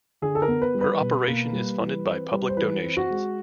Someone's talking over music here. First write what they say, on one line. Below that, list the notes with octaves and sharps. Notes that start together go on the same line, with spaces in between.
Her operation is funded by public donations.
D3 G#4
A4
A#4
B3
B4
G3
B4
B2
A#3
G3
E3
C4
G3
C5
E3 B4
C4
F#4
G#3